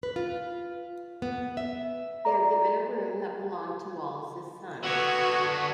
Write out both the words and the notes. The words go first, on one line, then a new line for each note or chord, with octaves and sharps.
They are given a room that belonged to Wallace's son.
B4
F4
B3
E5
D5 A#5
D3 B3 F#4 B4 C#6 G#6